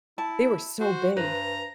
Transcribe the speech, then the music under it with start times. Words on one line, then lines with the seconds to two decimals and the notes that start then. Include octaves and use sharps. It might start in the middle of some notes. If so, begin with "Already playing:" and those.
They were so big.
0.18 E4 A5
0.80 F#4 C5
1.17 G2 B4 C5 A#5